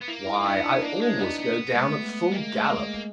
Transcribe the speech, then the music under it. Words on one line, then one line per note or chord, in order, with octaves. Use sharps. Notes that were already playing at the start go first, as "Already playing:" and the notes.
Why, I always go down at full gallop.
B3
A#3 E4
E4
D#4
B3 D4
D4
D#4
A#3 D4
G#3 D4
B3 D#4
B3
G#3
A3
G#3 A#3
G#3
A3
A#3